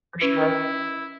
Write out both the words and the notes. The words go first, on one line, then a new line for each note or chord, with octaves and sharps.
For sure.
C#4 E4 B4